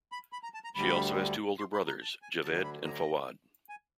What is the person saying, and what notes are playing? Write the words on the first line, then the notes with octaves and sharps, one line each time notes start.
She also has two older brothers, Javed and Fawad.
B5
B5
A#5
A5
A#5
D2 D3 G3 B5
C6
B5
A#5
A5
G#5
D2 D3 F#3 A5
B5
A#5
G#5